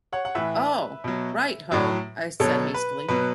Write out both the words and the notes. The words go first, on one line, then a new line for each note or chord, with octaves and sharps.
"Oh, right ho," I said hastily.
C#5 F#5
F#5
A2 E3 B4 E5
B2 F#3
A2 F#3
B2 F#3 A4 C#5
B4
B2 F#3 B4